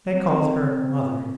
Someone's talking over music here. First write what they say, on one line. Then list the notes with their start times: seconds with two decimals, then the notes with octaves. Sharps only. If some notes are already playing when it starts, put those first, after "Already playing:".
They called her "mother."
0.12 C4